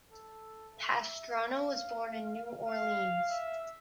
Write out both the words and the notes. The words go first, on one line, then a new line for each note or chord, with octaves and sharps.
Pastrano was born in New Orleans.
A4
E5
F5
F5
E5